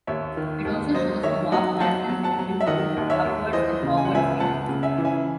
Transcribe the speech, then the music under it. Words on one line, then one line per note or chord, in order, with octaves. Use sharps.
It also shows the warp nacelles have been moved upwards and forward slightly.
D#2 C#5 E5
D#3
D#2
F#3 C5 D#5
D#3 C#5 E5
F#3 D#5 F#5
F#3 F#5 A5
F#3
F#5 A5
F#3
E5
D#3 D#5 F#5
D#2
C#5 E5
D#2
E3 C5 D#5
C#3
G#5
F#5
C#2 E5 G#5
C#2 F#5 A5
C#3
E5 G#5
E3
E5 G#5